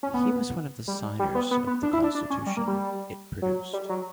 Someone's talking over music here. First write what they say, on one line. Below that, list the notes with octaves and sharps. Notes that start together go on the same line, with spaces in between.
He was one of the signers of the constitution it produced.
C#4
B3
G3
G3
B3
B3
B3
D4
E4
D4
D4
C#4
G3
A#3
G3
F#3
G3
F#3